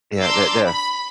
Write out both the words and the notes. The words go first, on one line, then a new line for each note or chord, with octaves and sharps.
Yeah, that th yeah
D4 A#5 C6 D6 E6
B5